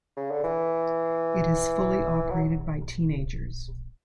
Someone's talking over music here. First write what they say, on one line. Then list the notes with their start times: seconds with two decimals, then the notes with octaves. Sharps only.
It is fully operated by teenagers.
0.17 C#3
0.31 D3
0.44 E3
2.30 F#3